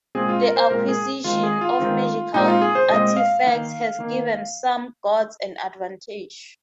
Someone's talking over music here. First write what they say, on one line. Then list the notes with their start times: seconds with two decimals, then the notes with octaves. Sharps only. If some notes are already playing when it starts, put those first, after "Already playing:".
The acquisition of magical artifacts has given some gods an advantage.
0.15 A#2 G#3 C4 G#4
0.29 F4
0.43 A#4
0.56 C5
0.70 A#2 G#3 C4 A#4
0.88 G#4
1.24 D#3 G#3 C4 F4
1.43 G#4
1.61 F4
1.79 D#3 G#3 C4
2.34 A#2 G#3 C4 D#4
2.48 F4
2.62 G#4
2.75 C5
2.89 A#2 G#3 C4 D#5
3.16 F5
3.44 D#3 A#3
3.99 D#3 A#3